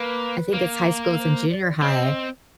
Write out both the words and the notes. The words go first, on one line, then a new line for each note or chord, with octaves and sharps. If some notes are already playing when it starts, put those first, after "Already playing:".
I think it's high schools and junior high,
Already playing: A#3 B4
A#3
C5
D5
C4 D#5